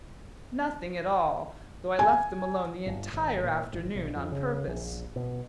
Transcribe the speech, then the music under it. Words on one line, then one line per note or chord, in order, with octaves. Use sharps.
"Nothing at all--though I left them alone the entire afternoon on purpose."
G#5
G1
G#1
A#2
G#1
B1
F2
C#3
A#1
B2